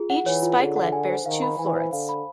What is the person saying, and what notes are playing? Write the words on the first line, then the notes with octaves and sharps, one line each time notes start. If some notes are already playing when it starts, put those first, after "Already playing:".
Each spikelet bears two florets.
Already playing: F4 G#4
F#5
E3 C#5
F4
D3 G#4
F#5
G#5
C5
D#3 F5
B5
E3 G#5
C5
D3 F5
B5